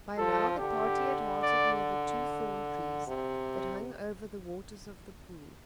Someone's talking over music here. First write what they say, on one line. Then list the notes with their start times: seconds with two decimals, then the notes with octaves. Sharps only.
By now the party had halted near the two thorn trees that hung over the waters of the pool.
0.18 F3 A4
0.59 D3 G4
1.42 D5
3.07 C3